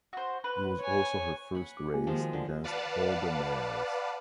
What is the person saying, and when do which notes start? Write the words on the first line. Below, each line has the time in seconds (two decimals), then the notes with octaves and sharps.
It was also her first race against older males.
0.13 F#4 C5
0.44 B4
0.81 C#5 G#5
1.55 F#5 B5
1.77 D6
1.94 A#3 G4 G#5
2.07 D#3 F3 G#3
2.20 F#4
2.33 D3
2.64 B4 D5 F5 F#5 A5